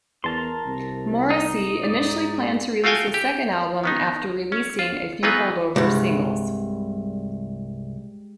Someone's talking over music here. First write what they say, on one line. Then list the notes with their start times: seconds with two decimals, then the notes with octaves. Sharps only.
Morrissey initially planned to release a second album after releasing a few holdover singles.
0.24 E2 A#4 A5 C6
0.66 C2 C3
1.30 D#4
1.84 G#2 D5
2.84 A3 F4 F#4 F5 G5 G#5
3.14 G4
3.84 D#3 B3 D#4
4.52 C#4
4.79 F4
5.23 E3 F#3 B3 D#4 F4 B4
5.76 C2 G2 G#3 G4